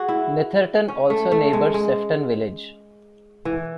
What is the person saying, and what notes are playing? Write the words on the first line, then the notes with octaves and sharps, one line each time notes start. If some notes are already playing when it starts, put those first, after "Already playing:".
Netherton also neighbours Sefton Village.
Already playing: F#4 G#4
E4
C#4
A3
A3
G#3
G#3
E3